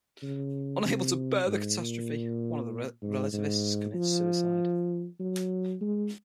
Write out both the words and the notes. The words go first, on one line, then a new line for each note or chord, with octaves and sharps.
Unable to bear the catastrophe, one of the relativists commits suicide.
C#3
C3
G#2
A#2
G#2
G#2
F3
F#3
G#3